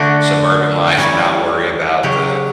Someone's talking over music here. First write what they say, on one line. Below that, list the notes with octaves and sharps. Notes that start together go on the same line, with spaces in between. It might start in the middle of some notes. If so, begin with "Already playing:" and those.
suburban life and not worry about the
Already playing: D3 A3 D4 F#4
E3 G3 C#4
C#3 F#3 G4